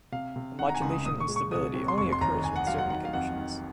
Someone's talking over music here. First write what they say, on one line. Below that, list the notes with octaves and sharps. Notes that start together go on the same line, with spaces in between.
The modulation instability only occurs with certain conditions.
C3 F5
C3
D#3 F#5
A#5
G#5
C#2
D#6
A#2 D#6
C#6
G#3
C#6
C2 D#6
C4
C6
F1 C#6
C6
D#2 A#5
D#2 G#5
F#5
F#3 F5
F#5
D#3 F#5
F5
F2 F#5
D#3